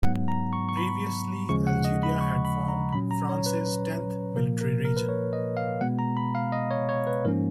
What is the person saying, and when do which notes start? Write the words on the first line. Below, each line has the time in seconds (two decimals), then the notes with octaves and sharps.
Previously Algeria had formed France's tenth military region.
0.04 G#2 F#3 B3 F#5
0.28 A#5
0.53 C#6
0.69 C#6
0.77 B5
1.49 D#2 C#3 F3 G#3 C#6
1.67 F#5
1.85 D#5
2.03 B5
2.21 C#6
2.45 B5
2.68 A#5
2.93 A#2 F#3 C#4 B5
3.11 A#5
3.29 C#5
3.46 B4
4.36 A#2 F3 A#3 A#4
4.61 A#4
4.85 A#4
4.97 B4
5.09 C#5
5.33 D#5
5.57 F5
5.81 B2 G#3 B3 F#5
5.99 A#5
6.17 B5
6.35 F5
6.52 D#5
6.71 C#5
6.89 C#5
7.07 B4
7.25 G#2 F3 A#3 C#4 A#4